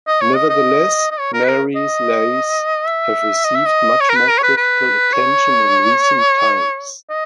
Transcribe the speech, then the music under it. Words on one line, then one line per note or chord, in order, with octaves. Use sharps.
Nevertheless, Marie's lais have received much more critical attention in recent times.
D#5
C#5
D#5
D#5
D#5
C#5
A#4
B4
A#4
D#5
E5
D#5
E5
D#5
C#5
A#4
B4
A#4
C#5
B4
B4
C#5
D#5